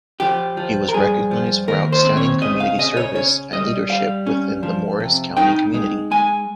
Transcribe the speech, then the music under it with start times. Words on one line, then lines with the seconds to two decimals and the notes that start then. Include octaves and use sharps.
He was recognized for outstanding community service and leadership within the Morris County community.
0.20 F3 G4
0.57 F3
0.89 A#4
0.94 G2 G#4
1.31 F3
1.68 D#2 A#4
1.92 C5
2.05 C4
2.17 C#5
2.41 C#3 D#5
2.60 F5
2.79 C#3 D#5
2.97 C#5
3.15 C#4 C#5
3.52 G3 D#5
3.89 G3 F5
4.27 C#4
4.63 F3
5.00 C3
5.37 D#4 G5
5.74 G#3
6.11 G#3 G#5